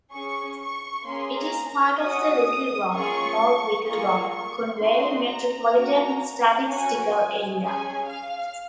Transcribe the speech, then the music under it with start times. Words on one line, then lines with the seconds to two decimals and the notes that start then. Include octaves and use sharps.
It is part of the Little Rock-North Little Rock-Conway Metropolitan Statistical Area.
0.13 C#4 G#4 C#6
0.59 C#6
1.06 A#3 C#4 G#4 C6
1.38 A#5
1.68 A#5
2.00 C#4 F#4 D#6
2.93 A#3 C#4 F4 G#4 C#6
3.87 A#3 F4 G#4 C#6
4.34 C#6
4.80 C4 D#4 F#4 C6
5.27 A#5
5.74 A#3 C#4 F#4
6.68 C#4 F#4 G#5
7.61 C#4 G#4 G#5
8.08 F5